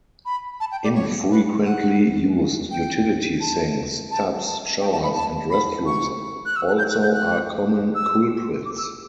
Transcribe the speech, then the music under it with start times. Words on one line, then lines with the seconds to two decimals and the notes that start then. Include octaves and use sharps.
Infrequently used utility sinks, tubs, showers, and restrooms also are common culprits.
0.25 B5
0.60 A5
0.71 G5
0.84 D5
0.95 C#5
1.30 B4
1.64 F#5
2.71 G5
3.40 A5
4.11 A5
4.46 A5
4.81 G5
4.92 A5
5.03 B5
5.15 A5
5.50 B5
5.86 C#6
6.46 F#6
6.56 E6
6.67 F#6
6.78 G6
6.91 F#6
7.02 G6
7.14 F#6
7.95 E6
8.65 D6
8.77 E6